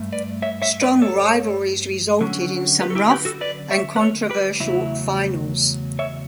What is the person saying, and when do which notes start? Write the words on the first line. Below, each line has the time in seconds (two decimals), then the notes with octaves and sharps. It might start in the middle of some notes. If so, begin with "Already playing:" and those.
Strong rivalries resulted in some rough and controversial finals.
Already playing: G2 A3
0.12 B4 D5
0.42 C#5 E5
0.62 C#5 E5
0.81 B4 D5
1.02 A4 C#5
2.21 D3 F#3 C#4
2.81 G4 B4
2.90 A4
2.95 E4 G4
3.10 G4 B4
3.25 F#4 A4
3.41 B4 D5
3.71 C#5 E5
3.96 B4
4.00 A4 C#5
4.30 G4 B4
4.60 E2 C#3 F#3 A3 E4
5.99 C#5 E5